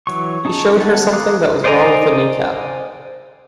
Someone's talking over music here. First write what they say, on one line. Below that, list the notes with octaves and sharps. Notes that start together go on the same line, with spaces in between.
He showed her something that was wrong with a knee-cap.
E3 F#3 C#6
C#4 D#4 G#4 A5 C#6
G3 B3 C#4 A4 F#5
F5 A#5 D6 D#6 F#6
C5 D5 D#5 G#5 A#5